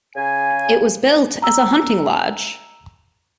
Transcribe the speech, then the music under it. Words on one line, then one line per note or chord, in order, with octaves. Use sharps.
It was built as a hunting lodge.
C#3 G#5
A#5 E6